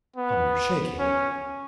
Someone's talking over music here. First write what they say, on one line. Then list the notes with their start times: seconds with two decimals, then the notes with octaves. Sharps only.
"Come, you're shaking."
0.16 B3
0.99 C#4